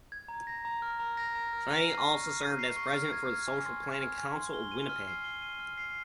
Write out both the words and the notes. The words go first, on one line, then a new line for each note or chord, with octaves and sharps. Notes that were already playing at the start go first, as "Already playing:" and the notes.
She also served as president for the Social Planning council of Winnipeg.
G#6
A#5
A#6
A#5
F6
A#5
A#6
A#5
F6
D#7
C7
C#6
F6
D#7
C7
C#6
F6
G#6
F6
G#5
C6
G#6
F6
G#5
C6
G7
D#7
F6
C7
G7
D#7
F6
C7